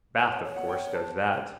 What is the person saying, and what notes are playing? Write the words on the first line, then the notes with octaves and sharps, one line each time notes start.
Bath of course does that.
B4 F#5
C#5
D#5
C#5
F#5
G5
A5
C#5